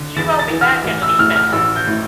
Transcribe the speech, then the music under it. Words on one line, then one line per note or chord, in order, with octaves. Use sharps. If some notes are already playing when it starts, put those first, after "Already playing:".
She wrote me back in an email,
Already playing: D3
E2 A6
A6
E3
F6
A1
E6
A2 F6
F6
A1 E6
G6
A2